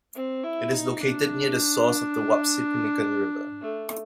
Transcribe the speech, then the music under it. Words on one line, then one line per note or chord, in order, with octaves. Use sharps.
It is located near the source of the Wapsipinicon River.
C4
E4
D#4
D4
A3